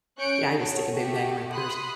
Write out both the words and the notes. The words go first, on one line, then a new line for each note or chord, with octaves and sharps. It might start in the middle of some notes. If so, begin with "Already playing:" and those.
Yeah, I just stick a big bag in my purse,
C#4 C#6 F#6 G6 C#7 D7
F#4 G#4 A4 C#5
A3 F#4 G4
B5 C6 D#6 F#6